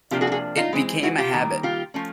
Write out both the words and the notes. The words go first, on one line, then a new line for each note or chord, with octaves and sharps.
It became a habit.
C3 F3 A#3 D4 F4 G4
F#4 G#4
A4
F#4 G#4
D#4 F4
E3 G#3 C4
E4 F#4
F4 G4
D#3 G3 A#3
F4 G4
F3 A3 C#4